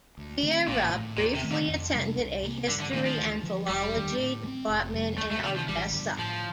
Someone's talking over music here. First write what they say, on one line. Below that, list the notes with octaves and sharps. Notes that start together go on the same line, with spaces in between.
Vera briefly attended a History and Philology department in Odessa.
D2
D3 A3 C4
A1 A#2
A2 A3
D#2 A#2
C3
D#3 A3 C4
D3
F2
C3 G3 D4
C2
C3 F3 A#3
G2 D3
D3
A#2 D#3 A3 D4
F3
D2
D3 F3
F1 G3
D#2 D3
A2
G3
C4
F1
F2 C3 G3
D2 A3
A3
C3 D#3 G3
F3
A1 G3
G2 D3
A2 F3